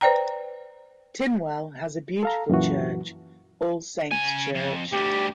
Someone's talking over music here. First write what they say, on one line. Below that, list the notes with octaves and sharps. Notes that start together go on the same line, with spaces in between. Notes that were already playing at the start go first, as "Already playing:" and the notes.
Tinwell has a beautiful church - All Saints' Church.
B4 C5 D5 G5 A#5
A4 F5 A#5
F#2 A#2 E3 F#4
C#3 G#5
F2
D2 G3 G4